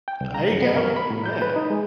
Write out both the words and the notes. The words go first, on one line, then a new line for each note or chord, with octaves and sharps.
I you go. Yeah.
G5
C2
A#5
F#2
B3
A#4
B5
A2
G6
B4
D#4
G#3